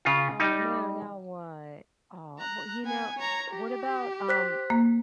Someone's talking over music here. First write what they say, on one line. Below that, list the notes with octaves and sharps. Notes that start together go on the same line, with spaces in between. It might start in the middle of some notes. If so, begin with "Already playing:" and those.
Oh no, now what? Aw, well, you know, what about, um,
C#3 F4
G3 D#4
A#5 F#6
B3 G#5
C#5 A#5
G4
C5 F#6 B6
A#3